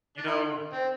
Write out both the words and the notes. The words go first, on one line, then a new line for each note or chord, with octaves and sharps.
you know
D4
E4
C4